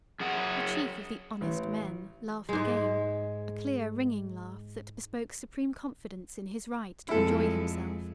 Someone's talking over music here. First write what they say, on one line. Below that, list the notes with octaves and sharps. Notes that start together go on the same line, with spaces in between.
The chief of the "honest men" laughed again, a clear, ringing laugh that bespoke supreme confidence in his right to enjoy himself.
F#2 G#4 F#5
A1
G#2 G#3
F2 G#3 E4 A4